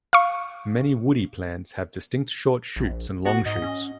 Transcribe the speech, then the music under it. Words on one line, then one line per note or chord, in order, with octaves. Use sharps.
Many woody plants have distinct short shoots and long shoots.
F5 C#6
A#1
B3 F#4
G#2 D#5
C#4